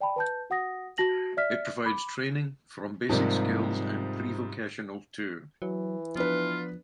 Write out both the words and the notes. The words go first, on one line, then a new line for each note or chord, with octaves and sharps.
It provides training, from basic skills and prevocational to.
D5 G5 A5 B5
B4 A5 G6
F#4 F#5 D#6 A#6
F#4 A5 A#6 F#7
D5 E5 F6 B6
B5 D6
G#2 C3 F3 G3 A#3
E3 F#3
F3 B3 D4 F4 B4